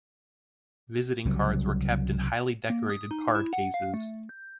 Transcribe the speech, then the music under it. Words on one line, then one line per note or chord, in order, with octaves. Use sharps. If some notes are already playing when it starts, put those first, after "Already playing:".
Visiting cards were kept in highly decorated card cases.
C2 C#3 F#3 G3
A#3
D#6
D#4
E4
F#5
F5
A3
G6